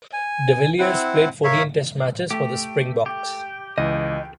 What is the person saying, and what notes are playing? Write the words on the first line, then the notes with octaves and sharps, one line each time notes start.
De Villiers played fourteen test matches for the Springboks.
G#5
C4 E4 F#5
A#4 C#5 E5 F5
A3 G4
G4
C#2 E3 D#5